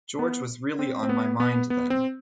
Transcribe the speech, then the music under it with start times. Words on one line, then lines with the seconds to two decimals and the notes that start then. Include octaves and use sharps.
George was really on my mind then.
0.19 B3
0.79 C4
1.03 C4
1.09 B3
1.40 B3
1.70 B3
1.90 C4